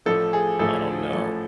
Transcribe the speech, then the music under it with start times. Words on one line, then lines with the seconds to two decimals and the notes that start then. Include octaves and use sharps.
I don't know,
0.05 A1 A2 F3 A3 A4
0.33 G#4
0.59 A1 A2 F3 A3 A4
1.13 A1 A2 F3 A3